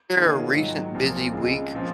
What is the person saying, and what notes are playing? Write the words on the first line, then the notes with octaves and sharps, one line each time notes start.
There a recent busy week
D#3 A#3 F4 G#4 C#5
G#2 D#3 F#3
C2 A#2 F3 C4
C#2 C#3 G#3
A#2 F3 C4